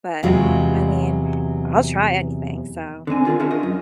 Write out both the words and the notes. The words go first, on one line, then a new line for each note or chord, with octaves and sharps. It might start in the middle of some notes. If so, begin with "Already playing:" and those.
but, I mean, I'll try anything, so
E2 C3 F#3 G#3 F4
D3 D#3 C4 G#5
F4 G#4 A#4 D#5 F5
C#4 D4 F4 F#4 A#4 E5
D#5
F#2